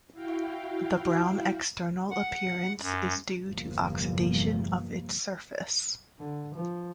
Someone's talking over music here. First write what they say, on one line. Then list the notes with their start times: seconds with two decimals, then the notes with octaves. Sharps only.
The brown external appearance is due to oxidation of its surface.
0.13 E4 F#4 F5 G5
2.10 F#5
2.82 F#2
3.45 G1 E2 C3 F3 G3 A#3
6.20 D3
6.55 F3